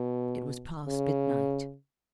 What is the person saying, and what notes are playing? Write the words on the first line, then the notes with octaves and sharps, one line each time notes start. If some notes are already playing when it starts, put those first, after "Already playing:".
It was past midnight.
Already playing: B2
C#3